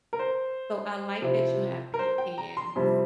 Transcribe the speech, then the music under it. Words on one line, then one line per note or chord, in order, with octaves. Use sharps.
So, I like that you have pecans,
A#4
C5
C3 F3 C4 E4
A#4
C5
G5
A#5
C6
F2 C3 G3 C4 E4